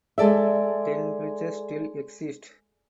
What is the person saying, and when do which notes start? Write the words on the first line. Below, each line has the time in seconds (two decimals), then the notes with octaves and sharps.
Ten bridges still exist.
0.18 G#3 A4 D5 E5